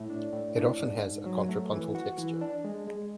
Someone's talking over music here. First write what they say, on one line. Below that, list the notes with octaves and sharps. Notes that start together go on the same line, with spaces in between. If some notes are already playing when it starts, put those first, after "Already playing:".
It often has a contrapuntal texture.
Already playing: A2
D4
A2
D4
G#2
G#2
F#3
A3
E3
F#4
E3
D4
G#3
G#3